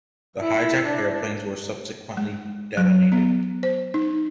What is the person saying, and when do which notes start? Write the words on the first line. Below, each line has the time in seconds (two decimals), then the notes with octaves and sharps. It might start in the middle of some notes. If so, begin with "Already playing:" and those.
The hijacked airplanes were subsequently detonated.
0.40 E4
0.87 D4
2.17 G#3
2.77 F#3
3.12 B3
3.63 C5
3.94 D#4